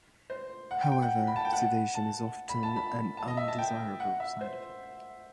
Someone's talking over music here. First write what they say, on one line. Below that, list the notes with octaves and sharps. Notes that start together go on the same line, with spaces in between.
However, sedation is often an undesirable side effect.
C5
F#5
G5
G5
F#5
B5
A5
G5
F#5
A5
B5
A5
B5
A5
D#5
E5
A5
G5
F#5
E5
C5